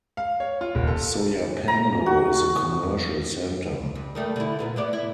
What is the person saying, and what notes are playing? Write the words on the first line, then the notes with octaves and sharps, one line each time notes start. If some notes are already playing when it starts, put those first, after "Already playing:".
Soyapango is a commercial center.
F5
C#5
F4
D#1
A4
A#5
F#4
G2
D#3 G3 A3
D3 E4
A#2 B3 F4
A2 B3 D5
E4